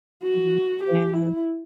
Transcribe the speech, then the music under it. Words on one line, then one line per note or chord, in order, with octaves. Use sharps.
Mm. Yeah.
F#4
G4
E4